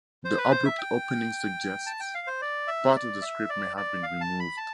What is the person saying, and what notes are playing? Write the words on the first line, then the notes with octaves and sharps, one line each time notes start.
The abrupt opening suggests part of the script may have been removed.
C5
B4
C5
E5
G5
A5
G5
F5
C5
D5
E5
D5
E5
D5
D5
F5
A5
B5
A5